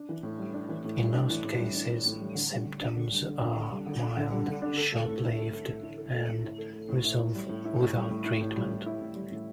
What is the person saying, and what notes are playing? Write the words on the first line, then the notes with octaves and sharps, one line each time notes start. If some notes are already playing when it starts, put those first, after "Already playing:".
In most cases symptoms are mild, short-lived, and resolve without treatment.
Already playing: D4
E3
A2
G3
D4
E3
A2
G3
D4
E3
A2
G3
D4
E3
A2
G3
D3
G3
D3
D4
D3
G3
D3
D4
D3
G3
D3
D4
D3
G3
D3
D4
A4
A3
A2
E4
A4
A3
A2
E4
A4
A3
A2
E4
A4
A3
A2
E4
A2
G3
A2
E4
A2
G3
A2
E4
A2
G3
A2
E4
A2
G3
A2